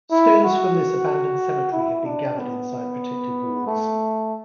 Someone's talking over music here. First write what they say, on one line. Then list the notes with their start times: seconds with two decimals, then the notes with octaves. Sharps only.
Stones from this abandoned cemetery have been gathered inside protective walls.
0.11 E4
0.44 F#4
1.72 E4
2.05 D4
2.38 B3
3.67 A3